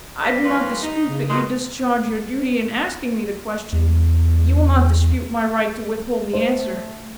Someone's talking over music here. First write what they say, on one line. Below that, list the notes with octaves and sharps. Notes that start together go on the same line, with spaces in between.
I do not dispute that you discharge your duty in asking me the question; you will not dispute my right to withhold the answer.
G3 A#6 B6
D#3 F4 B4
D#4
C#3
A#2 D#3 F#3 G#3
E2
A3 C5